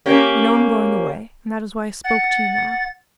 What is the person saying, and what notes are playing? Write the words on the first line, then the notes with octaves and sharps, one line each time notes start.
You know I'm going away, and that is why I spoke to you now.
A#3 C#4 G4
F#5 A6